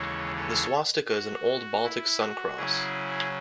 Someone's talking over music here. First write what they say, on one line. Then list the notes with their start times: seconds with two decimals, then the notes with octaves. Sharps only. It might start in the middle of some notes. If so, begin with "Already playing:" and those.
The swastica is an old Baltic sun cross.
Already playing: D#2 C#3 E3 G#3 A4 C#5
0.36 A4 C#5
1.10 F#4
1.84 E4
2.21 F#4
2.57 C#3 F#3 C#4 E4 G#4